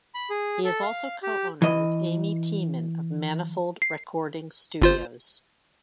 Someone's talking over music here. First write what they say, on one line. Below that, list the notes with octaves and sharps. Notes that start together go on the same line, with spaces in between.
He is also co-owner with Amy Tiemann of Manifold Recording Studios.
B5
G#4
A4
F5
G4
E3 D#5
C7
G1 F4 C5